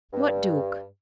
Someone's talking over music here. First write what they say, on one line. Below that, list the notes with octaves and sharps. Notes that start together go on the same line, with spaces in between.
"What duke?"
G2